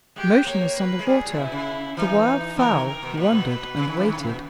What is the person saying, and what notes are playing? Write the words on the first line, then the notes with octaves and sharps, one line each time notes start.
Motionless on the water, the wild fowl wondered and waited.
G#3 G4
A#3 C#5
B4
G#3
G3 G#4
A#2
B2 E4
C#3
E3 D#4
E3 A#4
D#3
A#4
B2
A#2 B4
B2
B4
C#3
D#3
E3
D#3
C#3
B2